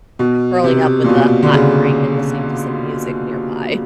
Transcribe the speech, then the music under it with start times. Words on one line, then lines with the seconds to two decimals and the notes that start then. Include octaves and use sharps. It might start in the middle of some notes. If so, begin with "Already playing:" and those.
curling up with a hot drink and listening to some music nearby.
0.19 B2
0.64 C3
1.04 A#2
1.09 B2
1.43 D3
1.53 C#3